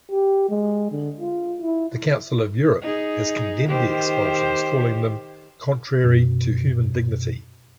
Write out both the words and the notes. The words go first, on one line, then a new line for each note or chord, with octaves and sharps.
The Council of Europe has condemned the expulsions, calling them "contrary to human dignity".
G4
G#3
D3
F4
E4
D#4 G#4
D#3 G4 C5
F#2 B2